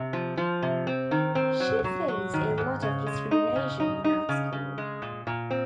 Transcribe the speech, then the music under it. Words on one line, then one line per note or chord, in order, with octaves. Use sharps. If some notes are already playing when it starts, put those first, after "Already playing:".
She faced a lot of discrimination in art school.
Already playing: C3
F3
F3
C3
C4
D#3
C4
F#3
F#3
F#3
D#3
G#2
C#3
G#3
D#4
C#3
D#4
D#4
C#3
C#3
G#3
A#2
A#2
C4